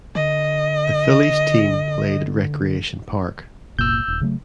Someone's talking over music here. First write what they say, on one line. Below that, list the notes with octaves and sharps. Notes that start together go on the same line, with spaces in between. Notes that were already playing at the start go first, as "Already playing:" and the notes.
The Phillies team played at Recreation Park.
D3 D#5
F#1 C2 A#2 E6 G6
D#1
C#3 F#3 A3